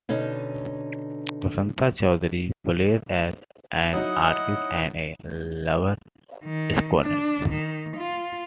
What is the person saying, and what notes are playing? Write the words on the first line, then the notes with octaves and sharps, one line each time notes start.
Basanta Chowdhury plays as an artist and a lover-scorned.
B2 D3 C#4 D#4
F#3 D#4 E4 D#5 F#5
D#3
D4
D#3
F4